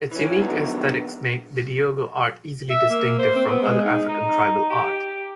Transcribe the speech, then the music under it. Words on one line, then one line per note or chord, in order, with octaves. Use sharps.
Its unique aesthetics make Bidyogo art easily distinctive from other African tribal art.
E3 C#4
D3 D#3 F#3 G#3 A#3 B3
E5
A#3
C5
C4
B3
G#3
D#4
D#4
G4